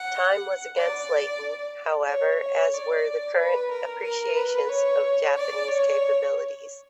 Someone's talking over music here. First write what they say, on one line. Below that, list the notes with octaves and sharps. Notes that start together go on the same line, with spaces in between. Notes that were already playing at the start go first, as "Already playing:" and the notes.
Time was against Layton, however, as were the current appreciations of Japanese capabilities.
Already playing: F#5
D5
C#5
C#5
D5
B4
A#4
A#4
B4
C#5
D5
C#5